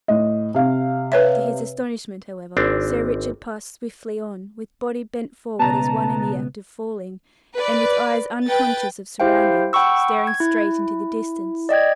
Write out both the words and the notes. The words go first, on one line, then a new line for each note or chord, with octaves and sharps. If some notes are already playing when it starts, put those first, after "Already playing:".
To his astonishment, however, Sir Richard passed swiftly on, with body bent forward as one in the act of falling, and with eyes unconscious of surroundings, staring straight into the distance.
A2 D#5
C3 F5
B4 C#5 E5
G#1 C4 D4
C#2 B2 B3 A5 A#5
B4 D5
B4 G5 A6
E4 G4 C5 F5 G5
F#5 G5 B5 C#6 E6
G#6
E4
D5 D#5 G5 G#6